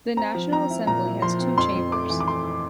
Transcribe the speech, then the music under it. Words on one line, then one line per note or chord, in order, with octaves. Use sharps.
The National Assembly has two chambers.
C4 A#5
F3
C4 A#5
E4
A#2 A#5
E4
F3 C6
C4
F2 C6
F2
A3 D6
E3
D6
A3 C6